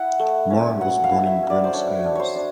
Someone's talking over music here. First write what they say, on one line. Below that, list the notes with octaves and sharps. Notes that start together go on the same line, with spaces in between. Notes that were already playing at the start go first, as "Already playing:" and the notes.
Morel was born in Buenos Aires.
Already playing: E4 F#5
A3
C#4
F#3 F#5
F5
E4
E5
C#4
D5
C5
D4 C#5
D4
C5 C#5
D4